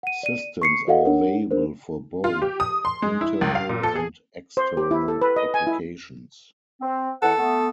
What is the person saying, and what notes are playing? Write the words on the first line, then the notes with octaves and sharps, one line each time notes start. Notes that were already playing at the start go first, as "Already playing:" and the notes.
Systems are available for both internal and external applications.
F#5 D#7
D5 D#7
C#6 C7 C#7
F#4 A4 D#5 F5 F#5
D4 A#4 C#5 F#5
D4 A#4 C5
F4
G4
D#6
C6
G#3
E4
C#2
F5
A#2
A4
G#4
C5
G4
E4
A4
B4
D#5
G#5
E4
C4
E2 A4 F#5
A3 B3